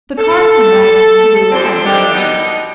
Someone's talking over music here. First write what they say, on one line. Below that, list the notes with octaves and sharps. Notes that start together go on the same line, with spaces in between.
The carts and wagons, too, had vanished.
A4
G#2 D3 F3 C4
D3 D#3 G3 D4 G4
B2 B3 D#4